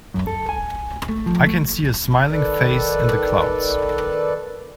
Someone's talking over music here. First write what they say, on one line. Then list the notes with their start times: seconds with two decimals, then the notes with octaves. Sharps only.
I can see a smiling face in the clouds.
0.14 F#2
0.27 A4
0.49 G#5
1.09 A3
1.26 F3
1.47 A3
2.31 D#3 A4 B4 D5